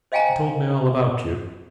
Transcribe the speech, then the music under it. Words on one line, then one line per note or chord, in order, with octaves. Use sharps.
He told me all about you....
C5 D#5 F5 G5 G#5 A#5